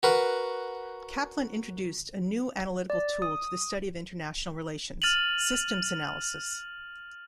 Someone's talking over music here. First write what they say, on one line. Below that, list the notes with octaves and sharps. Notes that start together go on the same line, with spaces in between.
Kaplan introduced a new analytical tool to the study of international relations, "systems analysis".
F#4 A#4 B4
D5
D#6
F6 A6 D#7 F7 F#7